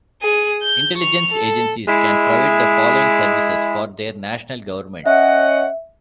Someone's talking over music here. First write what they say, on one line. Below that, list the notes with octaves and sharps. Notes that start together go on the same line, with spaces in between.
Intelligence agencies can provide the following services for their national governments.
G#4 D#7
G6
C#6 F7
A4
G#3 E4
C#4 D#5 E5 F#5